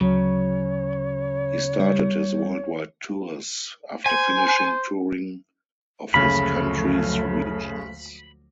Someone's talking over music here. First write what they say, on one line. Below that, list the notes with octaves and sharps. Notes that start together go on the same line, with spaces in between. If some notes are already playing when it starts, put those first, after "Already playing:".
He started his worldwide tours after finishing touring of his country's regions.
D2 C#3 F#3 C#5
G3
C5 G#5
F#1 D2 C#3 F3 F#3 A3 B5